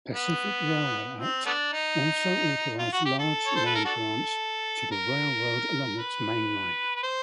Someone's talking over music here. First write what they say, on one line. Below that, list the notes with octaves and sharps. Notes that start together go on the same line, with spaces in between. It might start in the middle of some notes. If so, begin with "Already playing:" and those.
Pacific Railway Act also authorized large land grants to the railroad along its mainline.
B3
C4
A3 B3 D4
D#4
F4
F#4
G4
A4
C#5
C5
B4
A#4
D4 F#4 A4
A#4
B4
B4
C5